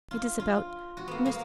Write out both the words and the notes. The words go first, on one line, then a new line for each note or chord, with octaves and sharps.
It is about--Mr.
F4
F4
F#4
A#3 B3
A#3